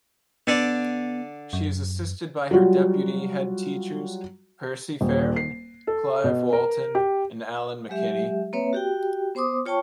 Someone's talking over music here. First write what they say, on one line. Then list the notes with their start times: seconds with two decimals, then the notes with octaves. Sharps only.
She is assisted by her deputy headteachers Percy Farren, Clive Walton and Alan McKinney.
0.47 D3 B3 D5
1.53 F#2
2.51 F#3 G3 F4 F#4
5.01 D#1
5.36 C7
5.87 A4
6.24 B2
6.53 A#4
6.95 G4
7.89 F#3 G#3 G4 E5
8.53 A#3 C4 B4 C#5 E5
8.73 F#4 G4 G5
9.35 B3 C5 C6 D6 D#6
9.66 F4 C#5 G5 A5 C#6